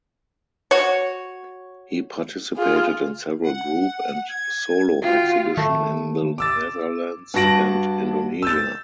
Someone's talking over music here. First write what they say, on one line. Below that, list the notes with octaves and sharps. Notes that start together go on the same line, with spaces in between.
He participated in several group and solo exhibition in the Netherlands and Indonesia.
F#4 C#5
F4 G#4
F#5
G#6
F4 F#4 G5
D#3 A3
D6 E6 A6
G2 F#4 A5 A#6 D7 F#7
E6 G6 A6